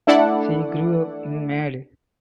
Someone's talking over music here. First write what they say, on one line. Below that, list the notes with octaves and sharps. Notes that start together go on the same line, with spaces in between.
She grew up in Made.
A3 D4 E4 A4 D5 F#5